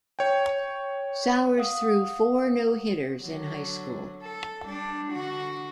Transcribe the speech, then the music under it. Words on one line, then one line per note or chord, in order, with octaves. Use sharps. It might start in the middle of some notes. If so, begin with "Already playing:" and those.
Sowers threw four no-hitters in high school.
C#5 G5
F5 F#5 D#6
D3 F#3
A4
G3 D4
D3 F#4